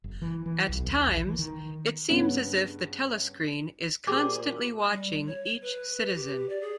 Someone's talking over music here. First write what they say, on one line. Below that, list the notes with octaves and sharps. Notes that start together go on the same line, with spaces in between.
At times, it seems as if the telescreen is constantly watching each citizen.
F#1
E3
E3
B1
D#2
A#1
E3
D#3
G2 C#3 B3 C#4
A#2 G4 G#4 C5 D6
G3
C#5
B4
G4
D5
G#4